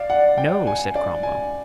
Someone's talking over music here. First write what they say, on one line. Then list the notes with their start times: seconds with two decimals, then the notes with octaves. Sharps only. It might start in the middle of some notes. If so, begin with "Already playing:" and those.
"No," said Cromwell.
Already playing: D5 F5
0.10 F#5
0.38 G5
0.67 G#5
0.95 D5
1.23 G#5